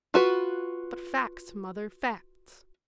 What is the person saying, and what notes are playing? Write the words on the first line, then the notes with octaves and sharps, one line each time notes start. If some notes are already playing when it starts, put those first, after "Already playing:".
"But facts, mother, facts!"
F4 F#4 B4